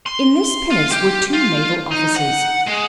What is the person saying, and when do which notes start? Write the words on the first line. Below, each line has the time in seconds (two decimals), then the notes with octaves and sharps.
In this pinnace were two naval officers.
0.06 C6
0.70 F4
0.92 G4
1.33 F4
1.91 D#4
2.16 F#5
2.67 G#3